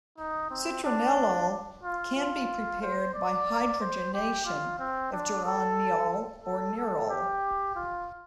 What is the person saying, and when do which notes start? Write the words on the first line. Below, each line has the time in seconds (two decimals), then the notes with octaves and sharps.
Citronellol can be prepared by hydrogenation of geraniol or nerol.
0.18 D#4
0.51 C4
0.84 D4
1.83 F4
2.15 F4
2.82 C5
3.14 D5
3.81 C5
4.14 G4
4.46 F4
4.79 C4
5.13 D4
5.45 A4
6.44 A4
6.77 A4
7.10 G4
7.76 F4